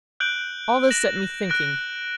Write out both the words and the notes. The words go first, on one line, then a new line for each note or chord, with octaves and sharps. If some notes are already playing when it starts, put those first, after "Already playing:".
All this set me thinking.
F#6 G6 D7 F#7
A#6 E7 F#7
F#6 A#6 D7